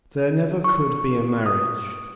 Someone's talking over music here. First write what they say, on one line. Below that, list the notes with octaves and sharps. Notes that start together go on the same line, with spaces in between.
There never could be a marriage.
C#6
D#6